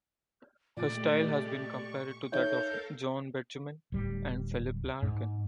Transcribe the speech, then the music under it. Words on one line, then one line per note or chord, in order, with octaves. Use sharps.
Her style has been compared to that of John Betjeman and Philip Larkin.
A#2 G#3 A3 G4 D5
C#6
D#4 A4 A#4 C#5 E5 F5 G6
D1 G3
G#2